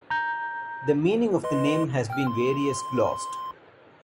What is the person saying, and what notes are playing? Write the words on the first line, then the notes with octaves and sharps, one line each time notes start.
The meaning of the name has been various glossed.
A#5 G6
B4 D#5 C6
G5 F6
C6